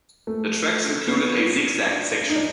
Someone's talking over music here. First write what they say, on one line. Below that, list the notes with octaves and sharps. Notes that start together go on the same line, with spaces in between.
The tracks included a zig zag section.
A3
B3
D4
D#4
D4